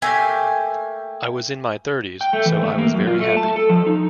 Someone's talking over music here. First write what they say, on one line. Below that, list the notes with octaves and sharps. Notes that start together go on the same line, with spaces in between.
I was in my thirties, so I was very happy.
A3 A#3 G4 G#5
G5
A3
E3
A3
A#3
F#2
F4
A3
A5
A4
F3
D#4